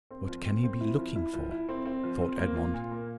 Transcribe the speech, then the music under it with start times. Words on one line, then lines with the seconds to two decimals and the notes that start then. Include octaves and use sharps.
"What can he be looking for?" thought Edmond.
0.11 C4
0.28 F3
0.46 C4
0.63 C4
0.81 E4
0.98 F3
1.16 E4
1.34 F3
1.51 E4
1.69 C4
1.85 C4
2.03 F3
2.21 C4
2.39 A#3
2.56 F4
2.74 A#2
2.91 A#3